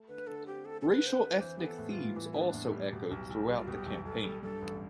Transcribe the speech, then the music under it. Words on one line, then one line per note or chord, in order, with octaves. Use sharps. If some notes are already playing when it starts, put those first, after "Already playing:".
Racial-ethnic themes also echoed throughout the campaign.
Already playing: A3
D3 B4
D3 A4
C4 G4
A3 A4
D3 A4
B4
D3 C5
B4
C4
E3 C5
B3 G4
A4
A2
F4
G3
E3 E4
B3 E4
D4
A2
G4
G3
B2
B1
B1
G3
F4
B2 G4
B1
B1 A4
G3
G2 A4
A1